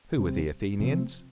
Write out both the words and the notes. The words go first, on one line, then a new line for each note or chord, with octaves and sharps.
Who were the Athenians?
C3 G3 C4
C3 F3 C4